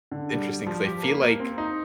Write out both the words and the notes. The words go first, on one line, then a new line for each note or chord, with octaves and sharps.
interesting 'cause I feel like
D3
G3
G3
F3
G4
A#3
A#3
C4
D#4